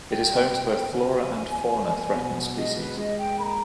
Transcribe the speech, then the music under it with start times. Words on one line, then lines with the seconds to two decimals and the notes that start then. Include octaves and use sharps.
It is home to both flora and fauna threatened species.
0.10 G3 G5
0.51 B3
0.92 C#3 G#5
1.33 E2
1.74 B3
2.15 B2
2.56 G#3 D#5
2.77 B4
2.97 G#3 D#5
3.18 G5
3.38 A#3 A#5 B5